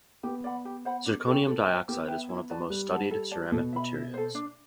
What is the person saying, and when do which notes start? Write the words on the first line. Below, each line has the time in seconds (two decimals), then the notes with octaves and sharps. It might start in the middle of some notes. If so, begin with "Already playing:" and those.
Zirconium dioxide is one of the most studied ceramic materials.
0.23 B3 G4
0.44 D5 F#5 B5
0.65 G4
0.85 C5 F#5 B5
1.05 D4
1.26 A4 D5 G5
1.47 A4
1.67 C5 G5
1.88 B3 G4
2.08 B4 E5 G5
2.29 E4
2.50 B4 D5 A5
2.70 G3 B4
2.90 F#5 A5
3.11 A4
3.31 D5 A5
3.52 B2 A4
3.73 E5 B5
3.94 E4
4.14 A4 C5
4.35 D4